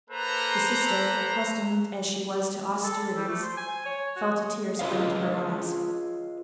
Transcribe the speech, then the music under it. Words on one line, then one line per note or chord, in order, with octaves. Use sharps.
The sister, accustomed as she was to austerities, felt a tear spring to her eyes.
A#3 A4 B4 C5 A#5
A4
G3
A3
C5
G#5
C#5
F#4
D#5
F4 G#4 B4 C#5 D#5 F5